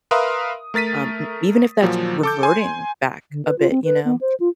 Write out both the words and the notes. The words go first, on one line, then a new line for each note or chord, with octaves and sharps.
um, n even if that's reverting back a bit, you know?
A#4 B4 E5 F5 C6 D#6
A3 A#4 A6 B6 D#7
A#2 F3 F#3
A4 D6 G6
G#5 C6
D3
B4
F4
C4
B4
B3
C5
F4